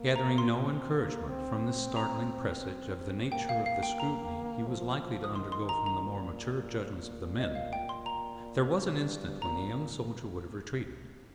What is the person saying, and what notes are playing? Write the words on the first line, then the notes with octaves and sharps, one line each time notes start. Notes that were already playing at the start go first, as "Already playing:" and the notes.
Gathering no encouragement from this startling presage of the nature of the scrutiny he was likely to undergo from the more mature judgments of the men, there was an instant when the young soldier would have retreated.
Already playing: A#3
A#5
C6
C4
A#3
C4
A#5
A#3 G5
F5
F5
G5
A#5
F3
D#6
D#3 C6
C6
A#5
A#5
A#2
D#5
F5
G5
C6
A#5
G2
A#2 A#5